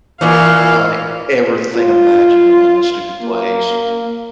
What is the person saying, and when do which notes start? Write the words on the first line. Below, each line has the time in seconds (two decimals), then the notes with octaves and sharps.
on everything imaginable in the stupid place.
0.21 A#2 E3 A#4 F5
1.76 F4
3.21 A#3